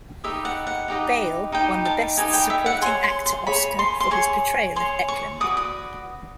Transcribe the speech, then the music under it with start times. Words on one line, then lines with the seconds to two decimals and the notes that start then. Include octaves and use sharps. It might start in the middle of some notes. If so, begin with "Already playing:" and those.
Bale won the Best Supporting Actor Oscar for his portrayal of Eklund.
0.24 D#4 G4 B4 D#5 E5
0.45 F#5
0.67 F#5
0.88 D#4 G4 B4 D#5
1.52 D#4 G4 B4 D#5 G5
1.85 A5
2.17 D#4 G4 B4 D#5 G#5
2.33 G5
2.50 E5
2.66 F#5
2.81 G#4 C#5 C6
3.03 C6
3.26 C6
3.47 G#4 C#5 B5
3.79 C6
4.00 C6
4.11 G#4 C#5 C#6
4.76 G#4 C#5 C6
5.08 C#6
5.40 F#4 B4 D5 D#6
5.57 D#6